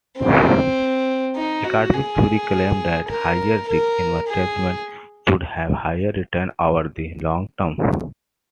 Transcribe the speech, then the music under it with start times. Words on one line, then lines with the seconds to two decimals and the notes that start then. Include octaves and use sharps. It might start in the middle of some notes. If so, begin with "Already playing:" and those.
Academic theory claims that higher-risk investments should have higher returns over the "long-term".
0.18 C4
1.36 D#4
1.64 F#4
1.93 G#4
3.10 A#4
3.68 A#4
4.27 G#4